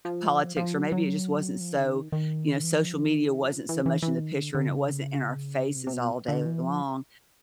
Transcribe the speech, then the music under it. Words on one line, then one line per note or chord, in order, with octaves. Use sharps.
politics or maybe it just wasn't so you know, social media wasn't so much in the picture, and it wasn't in our faces all day long.
F3
F3
F#3
F#3
F3
D3
D#3
D#3
E3
F3
E3
D#3
F3
E3
E3
E3
D#3
D3
D3
C#3
C3
C3
B2
D3
E3
F3